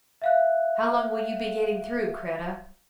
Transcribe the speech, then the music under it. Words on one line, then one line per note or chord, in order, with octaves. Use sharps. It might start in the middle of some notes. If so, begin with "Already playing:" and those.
"How long will you be getting through, Kreta?"
E5 F5 F#6